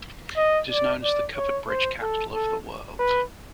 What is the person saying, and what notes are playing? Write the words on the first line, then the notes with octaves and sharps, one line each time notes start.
It is known as "The Covered Bridge Capital of the World".
D#5
D5
D5
C#5
C5
A4
A4
B4